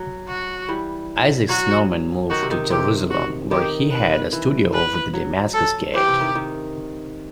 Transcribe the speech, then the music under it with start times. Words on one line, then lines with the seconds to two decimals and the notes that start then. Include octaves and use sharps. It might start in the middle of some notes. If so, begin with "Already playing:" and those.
Isaac Snowman moved to Jerusalem, where he had a studio over the Damascus Gate.
Already playing: F#3
0.28 F#4
0.68 E3 G3
1.49 F#3 F#4
2.30 D#3 F#4
2.43 C3
2.51 D#3
2.70 C3 G4
3.10 F#4
3.51 D#3 G4
3.91 B4
4.33 E3
4.73 B4
5.14 F#3
5.54 A4
5.94 E3 G4
6.08 C3
6.21 D#3
6.35 D#3